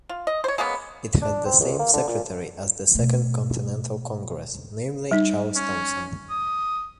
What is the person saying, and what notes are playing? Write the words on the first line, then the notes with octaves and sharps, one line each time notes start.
It had the same secretary as the Second Continental Congress, namely Charles Thomson.
F4
D#5
C5 C#5
G#3 A#3 B3 C#4
D4
C4
C#2
A#3
D3
A#2
B2 A3
G3 D#4
C#4
D#6